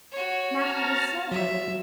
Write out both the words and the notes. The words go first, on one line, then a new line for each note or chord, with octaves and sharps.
Matthew was so good.
F#4 C#5
A5 A#5 F6
F#3 E5